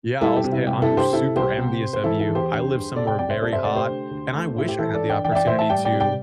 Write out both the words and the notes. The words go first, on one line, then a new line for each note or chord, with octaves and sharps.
Yeah, I'll say I'm super envious of you. I live somewhere very hot, and I wish I had the opportunity to
G3 E4 A4
G4
C3
E4
G3 G4
E4 A4
G2
G4 C5
C3 E4 A4
C2 G4 C5
C3
C4
C5
E3 E4 A4
E4 A4
E2
G4 C5
D3
G2
C3 A4 D5
D5 G5
C2 D5 G5
C5 E5
C3 A4 D5
C5 E5
A3 A4 D5
G4 C5
D3
D2
A3
A2 E4
G4
E3 E4 A4
A4 D5
G2
D5 G5
E3 D5 G5
E5
D5 G5
A2 C5 E5
E5 A5
G3 D5 G5
D5 G5
C3
D5 G5